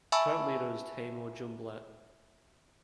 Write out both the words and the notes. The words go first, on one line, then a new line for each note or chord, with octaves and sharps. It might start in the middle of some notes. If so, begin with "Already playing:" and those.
Its current leader is Taymur Jumblatt.
E5 G#5 A5 B5 C#6 E6